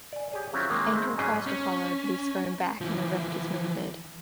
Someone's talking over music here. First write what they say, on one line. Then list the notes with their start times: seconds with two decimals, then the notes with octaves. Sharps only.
Angel tries to follow, but he's thrown back and the rift is mended.
0.12 D5 G#5
0.32 G4 G#4 C#5
0.53 D#3 F#3 C4 C#4 E4 F4
0.70 D#3 G#3 A#3
0.93 G#3 C4 D#4 G#4 E5 G#5
1.18 G#2 F#3 G3 C#4 G#4 C5
1.47 C#4
2.81 E3 F3